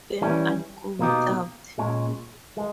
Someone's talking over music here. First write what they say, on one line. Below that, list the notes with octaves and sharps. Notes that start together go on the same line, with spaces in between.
Then I'll go without.
E3 G3 C#4
B2 A#3 D#4 G4
A#2 G#3 C#4
G#3